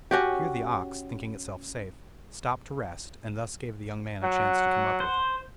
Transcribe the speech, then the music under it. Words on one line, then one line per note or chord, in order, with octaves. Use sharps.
Here the ox, thinking itself safe, stopped to rest, and thus gave the young man a chance to come up with it.
C#4 F#4 G4
F#3 F#5
C5